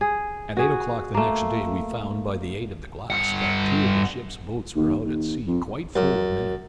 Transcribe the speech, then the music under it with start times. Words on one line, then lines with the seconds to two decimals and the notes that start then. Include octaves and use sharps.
At eight o'clock the next day we found, by the aid of the glass, that two of the ship's boats were out at sea, quite full of men.
0.01 G#4
0.57 F#4 G#4
1.14 A3 A#3
3.10 G2 F#5
4.76 D#2
5.05 D#2
5.47 F2
5.96 F#2